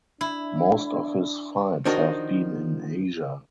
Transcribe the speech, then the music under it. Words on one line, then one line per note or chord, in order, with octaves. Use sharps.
Most of his fights have been in Asia.
D4 E4
D#3 F3 D4 D#4 F#4 A#4